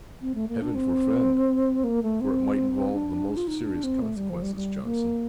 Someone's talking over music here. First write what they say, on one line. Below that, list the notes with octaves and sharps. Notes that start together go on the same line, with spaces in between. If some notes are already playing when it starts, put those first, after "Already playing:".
"Heaven forfend! for it might involve the most serious consequences, Johnson."
C4
A3
A#3
D4
C4
A#3
A3
C4
D4
F4
D#4
D4
C4
A3
G3
F3
G3
G3
A#3